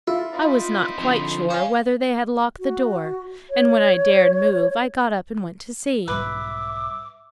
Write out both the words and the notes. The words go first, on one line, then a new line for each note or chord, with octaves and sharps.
I was not quite sure whether they had locked the door; and when I dared move, I got up and went to see.
E4 F4
C4 D#4 B5
F2 D3
C#4 C5 F5
F#4
C#5
B1 G#2 G3 B4 E5 D6